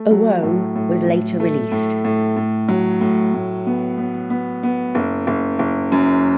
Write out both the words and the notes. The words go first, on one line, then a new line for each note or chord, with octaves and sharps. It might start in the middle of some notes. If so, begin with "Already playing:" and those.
Owoh was later released.
Already playing: A3
F#3
A2
A2
A2
A3
A2
A2
A2
F#3
A2
A2
B3
B3
B3
B3
F#1
F#1
F#1
F#2